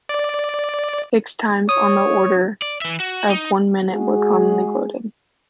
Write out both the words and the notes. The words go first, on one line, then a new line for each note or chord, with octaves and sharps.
Fix times on the order of one minute were commonly quoted.
D5
C#5 D#6
D5
E3 E5
F#4
D#4
G#3 F#4 G#4